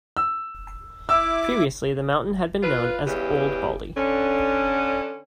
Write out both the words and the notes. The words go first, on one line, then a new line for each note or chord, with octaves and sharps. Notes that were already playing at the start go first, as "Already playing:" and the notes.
Previously the mountain had been known as Old Baldy.
E6
E4 D6 E6
F4 B4
E2 G2 C#3 G4 B4
D3 C#4